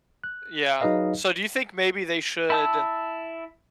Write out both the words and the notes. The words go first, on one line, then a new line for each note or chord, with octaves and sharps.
Yeah, so do you think maybe they should
F#6
F#3 D#4 G#4 B4 D#5 F5
E4 A5 E6